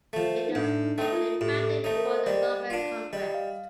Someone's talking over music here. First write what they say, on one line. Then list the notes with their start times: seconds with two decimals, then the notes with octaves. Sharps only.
It was probably founded before the Norman Conquest.
0.13 F3 A3
0.48 D#4
0.55 A2 D4
0.84 D#4
0.98 A3 D#4
1.13 F4
1.41 A2 G4
1.63 A4
1.84 A3 D#4
1.97 A#4
2.06 C5
2.19 D#5
2.26 G3 D5
2.70 D4 F4
3.13 G3 D#5
3.34 F5